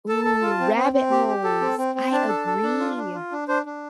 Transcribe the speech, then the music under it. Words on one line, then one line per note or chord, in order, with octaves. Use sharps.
Ooh, rabbit holes, I agree,
A4 A5
A4
F4
C4
C4
C4
G4
G4
A4
C4
C4
C4
D4 A5
A4
A4
D4
F4
D4
F4
D4
D4 C5
D4